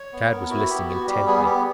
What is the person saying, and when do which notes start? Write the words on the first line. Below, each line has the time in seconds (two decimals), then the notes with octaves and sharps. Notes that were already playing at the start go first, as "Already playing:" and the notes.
Tad was listening intently.
Already playing: C#5
0.13 B3
0.31 B3 A#4
0.50 E4 F#4
0.70 B3 G4
0.89 F#4
1.07 G3 G4
1.27 B3 G#4
1.46 B3 G4